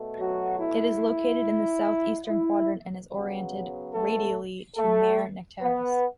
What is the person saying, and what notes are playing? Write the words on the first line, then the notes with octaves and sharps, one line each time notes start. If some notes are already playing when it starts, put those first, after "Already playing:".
It is located in the southeastern quadrant, and is oriented radially to Mare Nectaris.
Already playing: B2 A3
F#3 F#4
E4
E4
C#3 F#3 B3
A3 A4
A3 A4
B3 B4